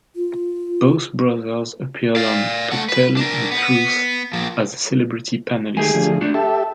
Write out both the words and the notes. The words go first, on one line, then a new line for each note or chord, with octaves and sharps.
Both brothers appeared on "To Tell the Truth" as celebrity panelists.
F4
D5 F5
A3 F#5
B4
D4 A#4
B3
F3 A#3
D#3 G#3 A3 G4 G#4 G#5
D3 F3 A3
A3 D4 F#4
G4 A4 E5 A5